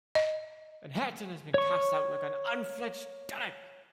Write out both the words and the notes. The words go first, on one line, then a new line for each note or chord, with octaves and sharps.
And Hareton has been cast out like an unfledged dunnock!
D#5
C#5 C#6